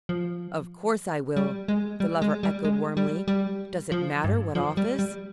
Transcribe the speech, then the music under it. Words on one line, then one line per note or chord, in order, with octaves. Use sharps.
"Of course I will," the Lover echoed warmly; "does it matter what office?"
F3
G3
G#3
G3
G#3
G3
G#3
G3
G3
F3
G2
F3
G3
G3